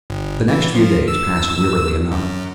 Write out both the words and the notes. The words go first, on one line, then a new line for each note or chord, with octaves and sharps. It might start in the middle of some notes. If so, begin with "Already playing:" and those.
The next few days passed wearily enough.
G1
E3
F3
E6
F#2